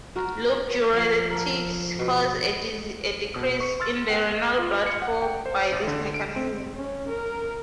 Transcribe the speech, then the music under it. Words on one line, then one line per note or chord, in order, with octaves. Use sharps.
Loop diuretics cause a decrease in the renal blood flow by this mechanism.
F#4 A#4
F3 D5 F#5
A4 A#4
B2
B2
C#6 C#7
C6 E6 F6 A6
A4 F#5 G5
F4
C#7
F#5
G5
C5
A1
D3
D7
C4
C#4
A#4